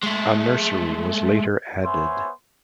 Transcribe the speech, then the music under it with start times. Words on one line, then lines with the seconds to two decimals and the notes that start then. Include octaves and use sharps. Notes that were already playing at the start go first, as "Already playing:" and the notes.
A nursery was later added.
0.03 G#3 A3
1.85 B3 C5 C#5 E5 G#5 C6